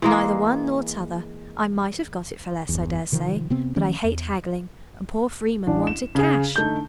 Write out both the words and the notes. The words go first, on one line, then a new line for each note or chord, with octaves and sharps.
"Neither one nor t'other; I might have got it for less, I dare say; but I hate haggling, and poor Freeman wanted cash."
E3 G#3 A#3
G1 E2
C3 D#3 F3
C3 B3 C4
D#3 F3 A3 C#4
E2
A1 D4
E7
C#3 G#4
D3 A3 D#4 G6